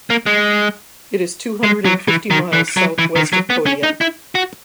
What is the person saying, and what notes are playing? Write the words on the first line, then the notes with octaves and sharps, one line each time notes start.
It is two hundred and fifty miles southwest of Kodiak.
A#3
G#3
G#3
F#3
E3
D#3
E3
F#3
E3
D#3
F#3
B3
C#4
D#4
E4
F#4